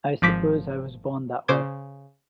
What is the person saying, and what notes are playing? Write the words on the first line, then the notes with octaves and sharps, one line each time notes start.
I suppose I was born that way.
G#1 F3 D6 B6
C#3 C5 D6 G#6